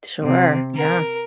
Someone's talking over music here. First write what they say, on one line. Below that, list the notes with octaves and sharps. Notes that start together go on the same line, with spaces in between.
Sure, yeah.
C3
A#4